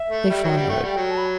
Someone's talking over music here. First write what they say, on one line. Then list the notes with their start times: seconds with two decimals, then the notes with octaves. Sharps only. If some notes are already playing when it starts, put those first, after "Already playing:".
They followed.
Already playing: E5
0.09 A3
0.30 G3 E5
0.43 F#3
0.50 G5
0.57 G3
0.63 F#5
0.69 A3 G5
0.80 G3 F#5
0.90 G5
0.96 F#3
1.11 A5
1.17 B5